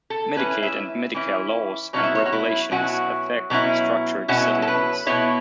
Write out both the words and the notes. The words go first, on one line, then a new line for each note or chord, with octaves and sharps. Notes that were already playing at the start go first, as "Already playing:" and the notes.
Medicaid and Medicare laws and regulations affect structured settlements.
A4
E3 C#4 E4 B4
E5
E3 C#4 E4
B2 F#3 C#4 E4 C#5
E5
C#5
F#4
E4
B2 F#3 C#4 E4 F#4
B2 F#3 C#4 E4
B2 F#3 C#4 E4 F#4
A4
B4
B2 B3 E4 C#5